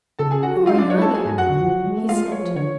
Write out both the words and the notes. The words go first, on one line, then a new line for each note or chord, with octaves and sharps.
"Who are you, anyhow?" he said.
C#3 A4 A5
G#4 G#5
F#4 F#5
F#3
G#3 F4 F5
D4 D5
F#3
C#5
G#3 A4 A5
F#3 G#4 G#5
G#2
F#2 F#4 F#5
D3
F3
F#3
G#3
A3
G#3 F4 F5
A3
G#3 C#5
F3
D3 C#5